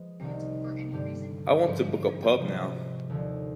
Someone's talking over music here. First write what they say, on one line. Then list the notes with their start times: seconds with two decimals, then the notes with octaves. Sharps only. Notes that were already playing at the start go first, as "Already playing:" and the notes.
I want to book a pub now.
Already playing: F3 G#3 B4
0.20 C2 C3 D#3 B3 D#4
0.92 G2 D3 G3 C4 G4
1.66 G#2 F3 C4 F4 B4
2.39 C3 F3 G#3
3.09 D#2 D3 F3